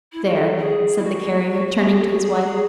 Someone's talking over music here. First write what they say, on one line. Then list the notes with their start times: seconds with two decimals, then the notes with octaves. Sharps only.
"There!" said the Carrier, turning to his wife.
0.12 E4
0.24 F#4
0.34 A4
0.58 G#4
0.97 E4
1.04 F#4
1.52 F#4
1.67 F#4
1.82 G#4
1.99 A4
2.10 F#4
2.22 G#4
2.34 F#4
2.45 G#4